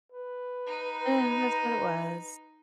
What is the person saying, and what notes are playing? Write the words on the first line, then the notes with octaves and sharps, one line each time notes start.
eh, that's what it was.
B4
D#4